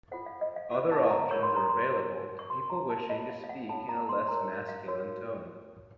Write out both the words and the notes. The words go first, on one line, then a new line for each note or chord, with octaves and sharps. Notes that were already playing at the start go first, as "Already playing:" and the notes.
Other options are available to people wishing to speak in a less masculine tone.
F4 A4 C5 F#5
F5
D#5
F5
F4 C5 F#5
A5
A#5
F4 A#4 C#5 C#6
C6
A#5
C6
F#4 A#4 C#5
C#6
F#4 C5 C6
A#5
A5
F4 A4 C#5 D#5
F5
F5
F#5
F4 A4 C#5 A5
A#5
C6
D#4 A#4 C#5 A#5
F5
F#4 A#4 C#5